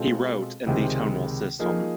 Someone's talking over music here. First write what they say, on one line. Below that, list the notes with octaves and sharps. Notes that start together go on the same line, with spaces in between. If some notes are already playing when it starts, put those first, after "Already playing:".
He wrote in the tonal system.
Already playing: B2 G#3 C4 F4 A4
C#2 C3 D#3 G#3 C4
F3 A#3 D#4 G#4